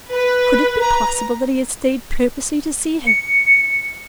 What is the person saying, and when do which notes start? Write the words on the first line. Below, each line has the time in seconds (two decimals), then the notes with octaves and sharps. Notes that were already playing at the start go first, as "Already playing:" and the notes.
Could it be possible that he had stayed purposely to see her?
0.11 B4
0.80 A#5
3.07 C#7